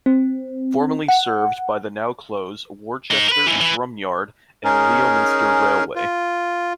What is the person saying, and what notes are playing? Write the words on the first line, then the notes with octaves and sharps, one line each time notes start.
Previously served by the now closed Worcester, Bromyard and Leominster Railway.
C4
F#5
G#3 D#4
A#4 B4
G#2 E3
E3
C#4 D#4 G#4 A#4
F4